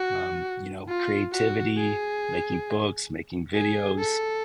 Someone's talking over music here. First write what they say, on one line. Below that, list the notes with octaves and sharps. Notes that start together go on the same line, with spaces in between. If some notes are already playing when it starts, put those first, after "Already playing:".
um, you know, creativity, making books, making videos.
Already playing: F#4
F4
F#4
G#4
G#4
A4